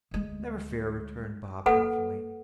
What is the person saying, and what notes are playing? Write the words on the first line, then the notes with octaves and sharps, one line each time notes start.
"Never fear," returned Bob confidently.
D2 G#3
A#3 A4 B4 F#5